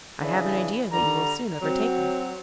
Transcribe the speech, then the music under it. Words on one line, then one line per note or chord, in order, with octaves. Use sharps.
'I have an idea that you will soon overtake her.'
C#3 E3 D4 G#4
D3 G3 A#5
F#3 C4